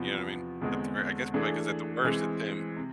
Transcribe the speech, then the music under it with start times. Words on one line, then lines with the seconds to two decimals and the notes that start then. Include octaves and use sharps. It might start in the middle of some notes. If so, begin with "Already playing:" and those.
you know what I mean, at the very I guess probably 'cause at the worst it's him
Already playing: E2 C3 F3 B3
0.62 E2 D3 G#3 C4 G#4
1.34 E3 A3 D4 G#4
2.05 E3 G#3 C4 G#4
2.76 C3